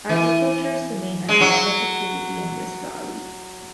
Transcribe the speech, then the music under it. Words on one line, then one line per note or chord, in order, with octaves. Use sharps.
Agriculture is the main economic activity in this valley.
E3
G#3
F#3